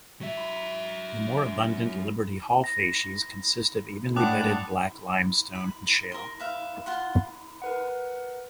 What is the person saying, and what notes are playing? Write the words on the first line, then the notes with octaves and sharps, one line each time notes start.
The more abundant Liberty Hall facies consist of evenly bedded black limestone and shale.
F#3 E5
A#6
A2 D4 F#5 G5 A5 D6 D#6 F#6
B5
A#4 C6
B4 E5 F5
F4 F#5 C6
A#4 B4 F#5